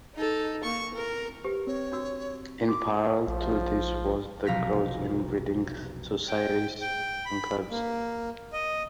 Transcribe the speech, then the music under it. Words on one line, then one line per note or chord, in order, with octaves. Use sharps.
In parallel to this was the growth in reading societies and clubs.
D#4 A4
A#3 C#6
A#4
G4 B4
C4 C#5
D4 F#4 E6
F#4 D6
A#1 F3
F1 B1 A#4 F5 A#6 B6
G5
G5
B5
A#3
D#5